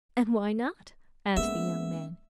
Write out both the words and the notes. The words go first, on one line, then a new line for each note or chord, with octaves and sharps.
"And why not?" asked the young man.
G#3 A#3 B3 C#4 E5